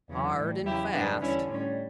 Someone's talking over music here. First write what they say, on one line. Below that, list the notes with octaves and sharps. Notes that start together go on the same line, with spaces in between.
"Hard and fast."
E2 C#3 F#3
A2 E3 G3
E2 C#3 F#3 E4 G4
F#2 D3 G3 B3 D4
E2 D3 G3 C#4 E4
A2 G3 C#4